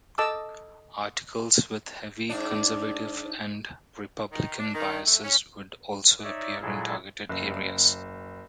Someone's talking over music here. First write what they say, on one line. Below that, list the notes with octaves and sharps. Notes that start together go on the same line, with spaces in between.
Articles with heavy conservative and Republican biases would also appear in targeted areas.
A4 D#5 A5 D6 E6
G#2 D4
D#3
D4
D#3
A3
C#4
D#4 C#5 D5 E5
A#2 F#3 G#3 E4 G#4 A4
F#1